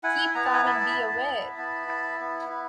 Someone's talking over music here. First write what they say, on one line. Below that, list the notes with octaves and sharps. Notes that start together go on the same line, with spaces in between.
Keep calm and be aware!
E4 F#5 G#5
B3 A#5
A5
G#5 A#5
E4 A5 B5
B3
E4
B3
E4
B3
E4